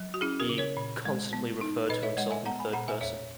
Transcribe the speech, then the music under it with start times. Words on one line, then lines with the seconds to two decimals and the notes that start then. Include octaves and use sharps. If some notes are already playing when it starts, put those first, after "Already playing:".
He constantly referred to himself in the third person.
Already playing: F#3
0.14 F#4
0.21 C#4 E4 G#4
0.40 F#4 A#4
0.49 C#3
0.58 A#4 C#5
0.77 A#2
1.05 G#3
1.33 B3
1.61 D#4
1.89 A#2 B4 D#5
2.03 C#5 E5
2.17 G#3 D#5 F#5
2.31 E5 G#5
2.45 B3 F#5 A#5
2.59 G#5 B5
2.73 A#2 F#5 A#5
2.88 E5 G#5
3.01 E2 C#5 E5